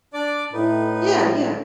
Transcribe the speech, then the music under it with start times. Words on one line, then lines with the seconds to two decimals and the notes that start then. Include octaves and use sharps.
Yeah, yeah.
0.14 D4 D5 D6
0.53 A2 D#4 B4